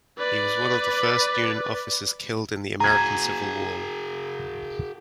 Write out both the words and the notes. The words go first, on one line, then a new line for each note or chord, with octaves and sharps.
He was one of the first Union officers killed in the American Civil War.
B4 D5
F#4 G#4 A#5 G#6